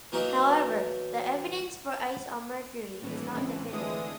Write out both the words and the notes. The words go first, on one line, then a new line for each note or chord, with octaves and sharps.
However, the evidence for ice on Mercury is not definitive.
E3 F#3 A#3 B3 D#4 A#4
D#1 A2 E3
C#2 C4
A2 D3 E3 G#3 D#6